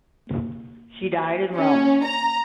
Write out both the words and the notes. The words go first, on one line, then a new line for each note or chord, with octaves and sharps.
She died in Rome.
C#4
A#5